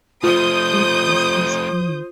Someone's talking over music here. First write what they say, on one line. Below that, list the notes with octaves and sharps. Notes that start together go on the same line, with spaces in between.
It was his move.
F3 A3 F4 C5 D#6 G6